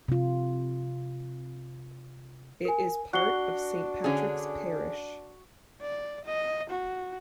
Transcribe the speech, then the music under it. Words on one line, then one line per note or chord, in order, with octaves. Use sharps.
It is part of Saint Patrick's Parish.
C3 F4
A#4 G#5
D4 F#4 F#6 C7 G7
D3 C#4 G#4
D5
D#5
F#4